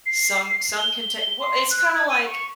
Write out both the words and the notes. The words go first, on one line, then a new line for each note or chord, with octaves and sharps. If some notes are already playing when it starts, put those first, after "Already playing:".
some some can ta well, it's kinda like,
C7
G7
C6
F#6
G#6
D#7
C#6